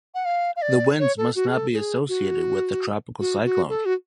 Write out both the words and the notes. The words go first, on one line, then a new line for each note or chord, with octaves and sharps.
The winds must not be associated with a tropical cyclone.
F#5
F5
F5
D5
C#5
A4
F#4
G#4
A4
G#4
F#4
F#4
F#4
A4
F#4